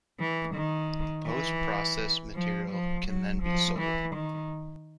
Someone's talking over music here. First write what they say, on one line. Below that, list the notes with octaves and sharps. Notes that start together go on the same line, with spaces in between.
The post-processed material can then be sold.
E3
D#3
E3
F3
F3
F#3
F3
E3
D#3